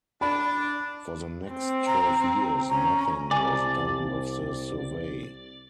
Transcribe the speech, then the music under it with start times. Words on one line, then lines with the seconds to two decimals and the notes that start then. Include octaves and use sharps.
For the next twelve years nothing was done with the survey.
0.21 D4 B5
1.51 C4
1.87 A#5
2.70 C#4 A#5
3.31 C2 D5 G#5 A5